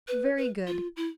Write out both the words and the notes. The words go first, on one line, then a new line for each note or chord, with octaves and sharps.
Very good.
B4
B4
F4
E4